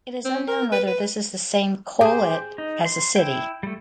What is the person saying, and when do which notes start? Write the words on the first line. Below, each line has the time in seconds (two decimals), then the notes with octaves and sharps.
It is unknown whether this is the same Kohlit as the city.
0.25 C4
0.48 A#4
0.72 B4
0.87 B4
2.01 G4 G#4 C5
2.58 D#4
2.86 C6
3.16 E4 G5
3.63 G3 A3